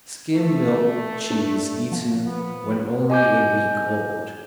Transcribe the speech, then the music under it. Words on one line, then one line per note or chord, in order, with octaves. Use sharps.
Skim-milk cheese eaten when only a week old.
A3
D4
F3
B3
D#5 G#5 D6 G6